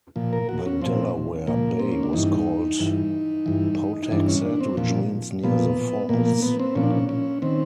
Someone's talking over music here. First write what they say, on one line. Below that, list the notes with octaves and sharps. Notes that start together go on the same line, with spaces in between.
The Delaware Bay was called "Poutaxat", which means "near the falls".
A#2 F3
A#4
F#4
C#4
A#2 F3 C4
A#2 F3 A#3
C4
C#4
D4
G2 E3 D#4
G2 E3
G2 E3
D#4
G2 E3 D4
C#4
D4
C4
A#2 F3
A#2 F3 B3
A#2 F3 A#3
A#3
B3
C4
A#2 F3 C#4
D4
C#4
C#4
D#3 C4